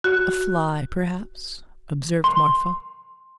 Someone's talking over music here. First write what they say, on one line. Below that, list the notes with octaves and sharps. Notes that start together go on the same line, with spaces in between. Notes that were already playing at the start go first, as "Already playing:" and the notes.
"A fly, perhaps," observed Marfa.
F#4
C6